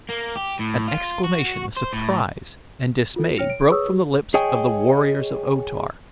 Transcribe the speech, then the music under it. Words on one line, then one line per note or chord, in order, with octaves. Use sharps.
An exclamation of surprise and dismay broke from the lips of the warriors of O-Tar.
A#3
G4
A2
F4
F#4
C5
A2
F4 A4
C#5 G5 F6 A#6 C#7 F7
D7
G#4 B4 C#5 C#6 D#6 E6
F#4 G4
G#4 C#5 D#5 G5 G#5